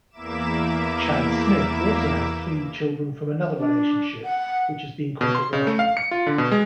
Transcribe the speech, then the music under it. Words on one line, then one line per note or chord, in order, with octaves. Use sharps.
Chad Smith also has three children from another relationship, which has been controversial.
E2 A#3 E4 E5 D6 E7
D4
F#5
B2
C6
C#3
A3
F5
C#7
F4
D3
B2
G#3